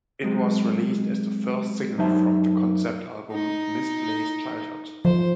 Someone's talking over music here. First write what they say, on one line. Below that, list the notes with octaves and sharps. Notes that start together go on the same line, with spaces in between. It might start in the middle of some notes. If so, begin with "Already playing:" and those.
It was released as the first single from the concept album "Misplaced Childhood".
F#3 G#3 C4
F#2 F#3 D#4 C5 E5 A5
D#4
F3 C5